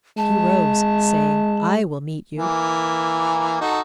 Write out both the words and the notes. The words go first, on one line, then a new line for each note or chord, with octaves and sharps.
He arose, saying, 'I will meet you.'
G#3 A5
E3 A#3
D#4 F#4 A4